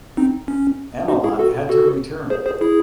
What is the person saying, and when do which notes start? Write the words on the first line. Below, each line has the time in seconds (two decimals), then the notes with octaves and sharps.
Amelot had to return.
0.17 C4 D#4
0.48 C#4
1.08 D#4 F#4
1.24 E4 G#4
1.39 F#4 A4
1.69 F#4 A4
2.30 G#4 C5
2.46 G#4 C5
2.61 E4 G#4